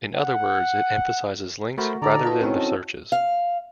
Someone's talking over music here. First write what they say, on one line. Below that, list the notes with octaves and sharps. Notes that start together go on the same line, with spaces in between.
In other words, it emphasizes links rather than the searches.
F#5
A3 F#4 A#4 C5 B5
D3 D#4 A4 D5 A#5 D6
F4 B4 D#5 A5
B2 D#3 C4 C#4 E4 C#5
A4 D#5
F5